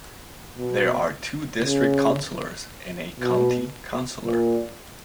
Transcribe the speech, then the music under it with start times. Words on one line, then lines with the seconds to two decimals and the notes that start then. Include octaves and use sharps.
There are Two District Councillors and a County Councillor.
0.58 B2
1.63 C#3
3.20 B2
4.24 A#2